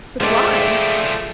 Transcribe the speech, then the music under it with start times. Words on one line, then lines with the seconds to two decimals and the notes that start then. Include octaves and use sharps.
But why?
0.20 F3 G#3 A3 A4 D5 E5 G5